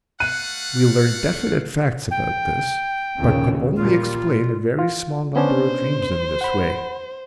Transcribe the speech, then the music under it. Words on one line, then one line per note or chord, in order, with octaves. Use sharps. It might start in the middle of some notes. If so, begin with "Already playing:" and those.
We learned definite facts about this, but could only explain a very small number of dreams in this way.
A3 F5 F#5 F#6 D#7
G5
A#1 D#2 C#3
A#2 G3 A#3 F4
F4
B3 C#4 D4 C5
F#5 B5